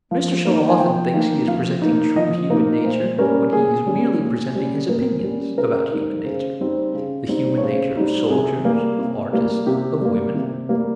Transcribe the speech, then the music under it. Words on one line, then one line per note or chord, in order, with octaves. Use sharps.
Mr. Shaw often thinks he is presenting true human nature when he is merely presenting his opinions about human nature--the human nature of soldiers, of artists, of women.
F3 F5
A#3 D#4
G#5
F3 G5
A#3 D#4
F3 F5
A#3 D#4
F3 D#5
A#3 D#4 A#4
A#2 C5
G3 C#4 A#4
A#2 G#4
G3 C#4
A#2
G3 C#4
A#2 A#4
G3 C#4
C#3 A#4
G3 C4 D#4
C#3 C5
G3 C4 D#4
C#3
G3 C4 D#4
C#5
C#3 C5
G3 C4 D#4
C3 G#4
G3 A#3
C3
G3 A#3
C3 G4
G3 A#3
C3
G3 A#3